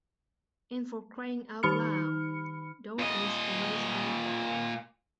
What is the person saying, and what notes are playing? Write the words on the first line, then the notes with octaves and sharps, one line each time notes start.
And for crying out loud, don't use erasable bond.
D#3 D#4 B5 F6 C#7
A#2 D#5